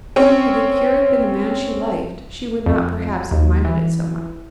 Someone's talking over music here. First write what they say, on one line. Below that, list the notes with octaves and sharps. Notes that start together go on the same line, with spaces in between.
Had the curate been a man she liked, she would not perhaps have minded it so much.
C4 C#4 C#5
F2
D#2
E3